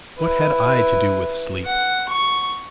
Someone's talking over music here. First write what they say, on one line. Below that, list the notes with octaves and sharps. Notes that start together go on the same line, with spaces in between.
What had I to do with sleep?
E4 B4
F#5
C#6